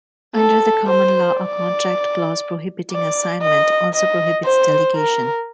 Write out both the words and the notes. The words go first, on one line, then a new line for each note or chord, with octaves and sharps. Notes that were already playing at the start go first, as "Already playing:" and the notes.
Under the common law, a contract clause prohibiting assignment also prohibits delegation.
A4
C5
D5
D5
D#5
D#5
C5
A#4